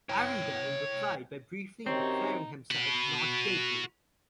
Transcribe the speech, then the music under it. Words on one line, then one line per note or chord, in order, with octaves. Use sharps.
Arundell replied by briefly declaring himself not guilty.
C#5 G5
F#2 D#3 C4 D#4 G4 C#5
F#4 B5